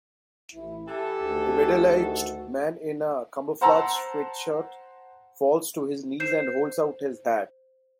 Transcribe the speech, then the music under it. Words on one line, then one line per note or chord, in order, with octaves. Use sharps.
A middleaged man in a camouflage sweatshirt falls to his knees and holds out his hat.
A1 E3 E4
E3 E4 G4 A4
D2 D#3 F#4
C5 F#5 A5 A#5 C6 E6
C5 G6 C7 E7